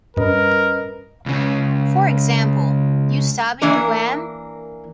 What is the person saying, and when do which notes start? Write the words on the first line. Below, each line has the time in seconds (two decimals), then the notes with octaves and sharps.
For example, you sabi do am?
0.17 G2 C#4 A#4 B4 D#5
1.26 C#2 C#3
3.61 E3 A#3 D4 A#4